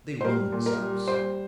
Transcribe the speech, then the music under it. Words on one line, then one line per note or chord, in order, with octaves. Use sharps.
They wound themselves.
C5
G3 A#4
A#2
A#4
G3
G3 C5